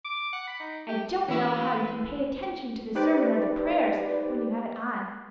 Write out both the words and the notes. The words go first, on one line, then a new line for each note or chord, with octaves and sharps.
I don't know how you can pay attention to the sermon or the prayers when you have it on.
D6
F#5
B5
D#4
G4
E3 G#3 C#4 E4 F#4 B4 E5
D#4 G4 B4 C5 D5